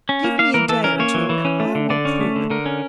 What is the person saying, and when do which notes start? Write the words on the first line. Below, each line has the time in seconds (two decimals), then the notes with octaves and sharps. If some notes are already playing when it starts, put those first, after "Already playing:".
Give me a day or two and I will prove it.
0.09 C#4
0.24 A#3
0.39 A#3 F5
0.54 E3 A#4
0.69 E3 A4
0.84 C#4 A#4
0.99 A#3 C#5
1.14 E3
1.29 E3
1.45 C#4
1.60 A3
1.75 D3
1.90 D3 D5
2.05 C#4
2.21 A3
2.36 D3
2.50 D3 A#4
2.66 C#4